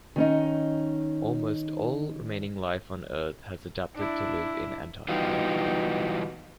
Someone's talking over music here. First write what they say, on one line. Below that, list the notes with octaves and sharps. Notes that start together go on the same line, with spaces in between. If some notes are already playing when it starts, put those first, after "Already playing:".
Almost all remaining life on Earth has adapted to live in Antarctica.
D#3 C#4 D#4
D4 E4
B2 E3 G3 D#4 F4 G5